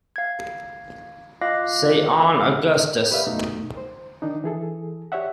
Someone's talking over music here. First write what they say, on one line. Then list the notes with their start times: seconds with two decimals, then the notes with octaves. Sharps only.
Say on, Augustus.
0.16 F5 G#6
1.41 F4 D#5 F5 D6 F#6 A#6
3.10 G4 B4 D5 E5 F5
3.27 F#2 B2 A3 D#4
3.77 C5
4.22 D#3 D4 D#4
4.44 E3 G#4 A4
5.12 G4 C#5 D5 E5 F#5